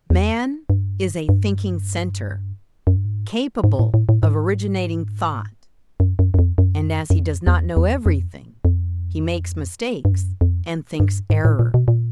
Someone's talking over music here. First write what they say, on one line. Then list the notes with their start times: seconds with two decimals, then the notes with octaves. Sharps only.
Man is a thinking center, capable of originating thought; and as he does not know everything, he makes mistakes and thinks error.
0.10 E2
0.70 G2
1.29 G2
2.87 F#2
2.97 G2
3.05 G#2
3.64 G#2
3.79 A2
3.94 A2
4.09 A2
4.23 G#2
6.00 F#2
6.19 F#2
6.34 F#2
6.39 F2
6.58 F#2
7.10 F#2
7.17 F2
7.47 E2
7.77 E2
8.06 F2
8.65 F2
10.05 G2
10.12 F#2
10.41 F2
11.00 G2
11.30 G#2
11.45 A2
11.59 A#2
11.74 B2
11.88 A#2